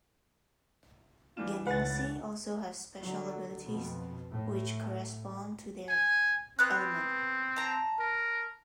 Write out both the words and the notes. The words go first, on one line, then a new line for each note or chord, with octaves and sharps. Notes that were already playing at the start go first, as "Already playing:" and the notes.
Genasi also have special abilities which correspond to their element.
E3 D4 F4 E7
C#2 C#3 B4 F#5 A6
D3 F#3
F2 B2
A2
G#5
B3 C4 F#6
A5 A#5
A#4